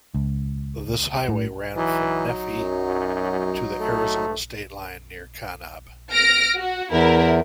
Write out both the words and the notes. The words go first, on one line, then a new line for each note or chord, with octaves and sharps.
This highway ran from Nephi to the Arizona state line near Kanab.
C#2
A2
E3 F#3 D#4
F#2
A3
F6 A#6 D7
F#4
E2 E4 A#4